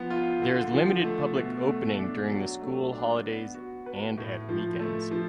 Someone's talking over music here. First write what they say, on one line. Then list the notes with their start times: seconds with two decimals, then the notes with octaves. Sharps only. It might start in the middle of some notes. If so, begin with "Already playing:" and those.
There is limited public opening during the school holidays and at weekends.
Already playing: F3 B3
0.10 F4
0.42 D3
0.73 F3
1.04 A3
1.36 B2
1.67 A3
1.98 D4
2.30 F#3
2.61 A3
2.92 D4
3.24 B3
3.55 F#4
3.86 B4
4.17 A2
4.49 F3
4.80 A3
5.11 F3